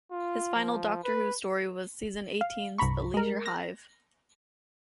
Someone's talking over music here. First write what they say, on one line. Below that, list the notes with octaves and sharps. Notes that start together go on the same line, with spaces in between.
His final "Doctor Who" story was season eighteen's "The Leisure Hive".
F4
F3
B4
F5
C2 G2 A#5 B5 C#6
G#3 A#4
A#6